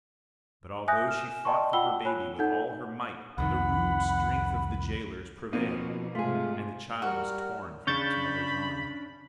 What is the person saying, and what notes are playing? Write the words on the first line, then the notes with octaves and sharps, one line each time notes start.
But although she fought for her baby with all her might, the rude strength of the jailers prevailed, and the child was torn from its mother's arms.
E5 G#5 D#6 F#6 G6 A#6
F6 E7
D5 D#5 G5 A5 C6 C#6
F4 F#5 G5 B5 E6 G7
F4 C#5 G#5 B5 F#6
D#4 A4 F#5 G6
C2 F2 D#3 F#5 B5
B2 F3 A#3 C4 D#4
G#2 C3 A3 F4 G#4
G3 F#4 A#4 F#5 F6
C#3 C#4 D4 B5 C#6 G6 A6